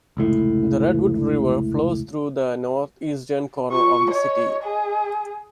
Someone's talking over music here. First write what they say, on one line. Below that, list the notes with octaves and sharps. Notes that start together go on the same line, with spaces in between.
The Redwood River flows through the northeastern corner of the city.
F1 C#2 A2
F4 C#6
C#5 D#5
G#4